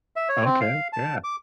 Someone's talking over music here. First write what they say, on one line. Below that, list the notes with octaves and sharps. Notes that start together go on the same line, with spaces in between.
Okay. Yeah.
E5
C#5
C4
F5
A5
D6